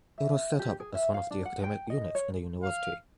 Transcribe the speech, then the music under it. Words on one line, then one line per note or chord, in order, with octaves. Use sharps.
It was set up as one of the academic units in the university.
E5
G4
G#4
E5
F5
D4
F#5
G5
D#5
C#5
F5